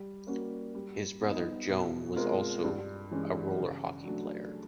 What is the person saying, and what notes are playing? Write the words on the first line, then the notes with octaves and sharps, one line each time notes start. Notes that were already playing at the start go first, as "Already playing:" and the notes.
His brother Joan was also a roller hockey player.
Already playing: G3
A#3 C#4 F#4
G3
B3
D#4
B2
G#3 C4 F4 A#4
G2
E3 G#3 C#4
C#3
F#3 A3 D4